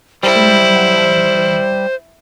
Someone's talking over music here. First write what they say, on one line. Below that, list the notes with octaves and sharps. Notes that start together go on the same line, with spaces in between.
Teaming is not allowed in the game.
G3 E4 C5